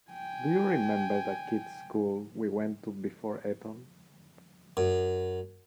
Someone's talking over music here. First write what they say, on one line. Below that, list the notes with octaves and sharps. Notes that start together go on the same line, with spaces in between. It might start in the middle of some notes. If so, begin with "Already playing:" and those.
Do you remember that kids' school we went to before Eton?
G5 G#5
F#2